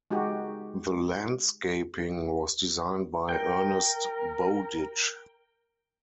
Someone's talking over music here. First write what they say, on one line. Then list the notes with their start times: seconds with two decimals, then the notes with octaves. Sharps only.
The landscaping was designed by Ernest Bowditch.
0.11 G#3 D#4 F#4 G4
3.29 A#4 G5